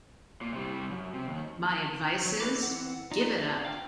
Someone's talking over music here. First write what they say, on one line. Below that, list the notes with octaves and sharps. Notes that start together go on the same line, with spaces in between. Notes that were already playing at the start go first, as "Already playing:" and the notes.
My advice is—give it up!
A#2
C3 G3
F#2
C3
D#2
F#3 C#5
D#4 A4 B4 B5 D6
E3 C4 F#5
D#4 F4 D5 D#5 A#5
D4 D5 E5 F5 A#5
F5 G5 F6